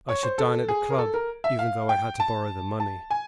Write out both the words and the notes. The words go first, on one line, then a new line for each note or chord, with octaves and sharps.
I should dine at the club, even though I had to borrow the money.
C#5
C5
A4
G#4
A#4
A4
A#4
E5
F5
G5
A5
A5
G#5